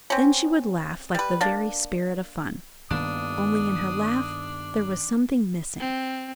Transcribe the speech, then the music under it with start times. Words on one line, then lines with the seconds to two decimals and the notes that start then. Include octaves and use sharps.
Then she would laugh like the very spirit of fun; only in her laugh there was something missing.
0.10 C4 C#4
1.15 G3 B4
1.41 A#3 D4
2.91 G2 D#3 A#3 B3 D4 D#6
5.80 C4